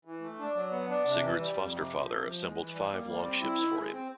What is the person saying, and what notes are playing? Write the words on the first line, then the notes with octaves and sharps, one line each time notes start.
Sigurd's foster-father assembled five longships for him.
E3
A3
D4
F#3
B3
D4
C3
E3
G3
F2
C3
F3
C3
F3
G#3
E3
G3
A#3
G3
C4
E4
D#3
G#3
C4